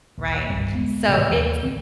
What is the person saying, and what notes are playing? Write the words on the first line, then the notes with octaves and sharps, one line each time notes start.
Right. So it's
A#1 D#2
E1 C2 G2 C3
D1 G#3 B3
A2 C3 E3
D#2 E3 F3 A#3
A1 D2 C4